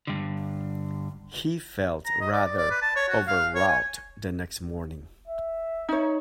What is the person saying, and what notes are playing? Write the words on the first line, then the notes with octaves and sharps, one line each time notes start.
He felt rather overwrought the next morning.
G2 D3
A#5
D#5
D5
D5
D5
B4
A5
C#5
F#4
F5
C#5
G#5
E5
D#4 C#5